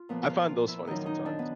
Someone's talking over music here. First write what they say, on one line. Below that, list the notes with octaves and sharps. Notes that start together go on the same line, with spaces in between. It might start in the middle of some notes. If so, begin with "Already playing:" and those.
I I find those funny sometimes.
Already playing: F4
A#2 F3 B3
F4
F4
E4
F#2 D#3 D#4
D#4
D4
B3